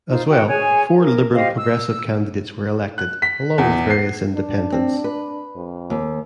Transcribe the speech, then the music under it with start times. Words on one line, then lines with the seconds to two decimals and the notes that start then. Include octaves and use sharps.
As well, four Liberal-Progressive candidates were elected, along with various independents.
0.09 D#4 F4 C5
0.29 F#4 G5
0.49 G#4 C#5 G#5
0.99 A#4
1.34 G4 C5 D#5 F5
1.56 E6
2.98 F#6
3.22 B6
3.58 E2
3.90 C7
4.35 D4
4.72 C4
5.04 B4
5.55 F2
5.90 D#2